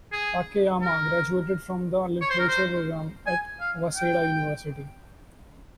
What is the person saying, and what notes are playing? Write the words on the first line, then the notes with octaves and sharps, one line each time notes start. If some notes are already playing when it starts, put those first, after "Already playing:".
Takeyama graduated from the Literature program at Waseda University.
G#4
A#4
C#5
C5
A#4
C5
G#5
F5
G5